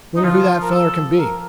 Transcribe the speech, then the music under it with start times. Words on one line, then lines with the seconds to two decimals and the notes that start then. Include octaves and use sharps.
Wonder who that feller can be.
0.16 D#4
0.24 F3 F4
0.62 A#4
0.71 A4
1.19 A#4